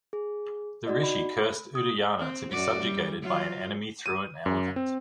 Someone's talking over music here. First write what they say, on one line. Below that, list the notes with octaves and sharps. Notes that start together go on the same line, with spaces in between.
The rishi cursed Udayana to be subjugated by an enemy through an elephant.
G#4
D#4 F#4 D5 D#5
B5
D#6
C4
F#2 F#4 D5
G3
F#3 F4
D#7
F#2
C4